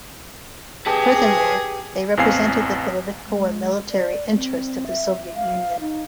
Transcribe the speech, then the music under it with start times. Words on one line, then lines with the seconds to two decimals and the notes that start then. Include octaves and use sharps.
Furthermore, they represented the political and military interests of the Soviet Union.
0.86 G4 G#4 B4 A5
2.17 A1 E2 C4 F5 G#5 C7
3.26 G#3
3.90 D5
4.34 C4
4.87 E5
5.36 F5
5.80 D#4